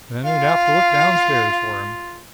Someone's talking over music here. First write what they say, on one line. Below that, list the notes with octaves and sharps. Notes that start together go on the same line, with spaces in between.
Then he'd have to look downstairs for him.
F4 F5